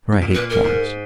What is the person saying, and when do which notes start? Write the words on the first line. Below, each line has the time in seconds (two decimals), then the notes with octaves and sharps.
For I hate Florence.
0.12 G#2
0.21 A#2
0.31 G#2
0.35 A#2 B4
0.50 A#4
0.63 G#2